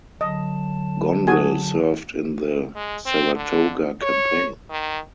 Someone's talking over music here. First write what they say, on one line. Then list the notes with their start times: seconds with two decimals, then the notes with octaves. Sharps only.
Gonville served in the Saratoga campaign.
0.21 D3 F#3 D#5 A5
1.28 F#4 G#4 G#5
2.76 G#3
3.06 C4
3.35 D3
4.02 C#5
4.70 D#3